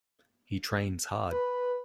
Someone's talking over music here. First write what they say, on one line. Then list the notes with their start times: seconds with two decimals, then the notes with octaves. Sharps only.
He trains hard.
1.31 B4